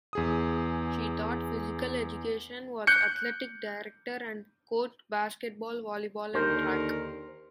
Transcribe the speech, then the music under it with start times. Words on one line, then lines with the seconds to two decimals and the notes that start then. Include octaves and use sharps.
She taught physical education, was athletic director and coached basketball, volleyball and track.
0.13 E2 G#4 D#6
2.87 F#6 G6 C#7
6.34 D#2 D3 A#4 C5